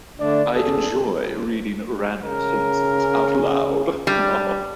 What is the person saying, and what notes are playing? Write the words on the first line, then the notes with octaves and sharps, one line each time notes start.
I enjoy reading random sentences out loud.
D3 A3 D4 D5
E2 G#4 A4
C#3 A#4
G3 D4